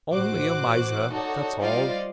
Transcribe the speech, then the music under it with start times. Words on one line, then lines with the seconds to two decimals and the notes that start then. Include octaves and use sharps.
Only a miser; that's all.'
0.11 A1 F#4 C5 D6 F#6
1.10 D#4 F#4 A4 C#5 D5
1.59 G3 F4 C5 D5 D#5 F5